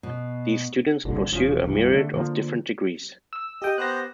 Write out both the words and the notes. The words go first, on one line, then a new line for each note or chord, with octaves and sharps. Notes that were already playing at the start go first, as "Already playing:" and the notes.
These students pursue a myriad of different degrees.
B2
G1 C2 A#2 D3
E1 F3 C#4
C2 G2 F3
D3 A3
D3 F3 A#3
E6
G4 D#5 G5
B3 G4 C5 F#6 A#6